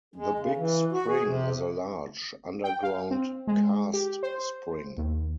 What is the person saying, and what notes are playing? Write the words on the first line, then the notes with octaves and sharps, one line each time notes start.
The Big Spring is a large, underground karst spring.
G#3
C#3
E3
F#4
G#4
C3
G5
F5
C4
G#3
G4
C5
D#2